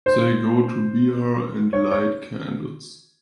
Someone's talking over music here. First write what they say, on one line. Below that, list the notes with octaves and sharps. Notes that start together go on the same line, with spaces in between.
They go to Bihar and light candles.
C5
C#5
C#5